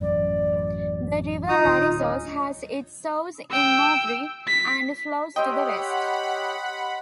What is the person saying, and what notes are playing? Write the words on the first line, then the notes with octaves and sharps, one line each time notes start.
The river Larissos has its source in the Movri, and flows to the west.
A1 F#2 D5
D#4 F4 A#5 D#6
D1
C#4 D#5
G5 E6
B6
G4 C#5 D#5 F#5 G5 B5 C6 E6